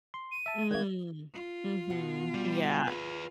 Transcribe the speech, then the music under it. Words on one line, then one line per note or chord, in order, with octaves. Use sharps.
Mm. Mhm. Yeah.
C6
D#7
E5 A5
D#3 G#3 A#4 G#6
F4
B2 F#4 F#5
G3
G#4 B4